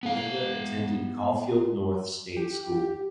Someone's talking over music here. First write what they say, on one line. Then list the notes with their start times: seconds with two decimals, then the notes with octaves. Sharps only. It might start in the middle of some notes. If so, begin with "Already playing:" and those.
Gawenda attended Caulfield North state school.
0.03 B3 F5
2.37 G4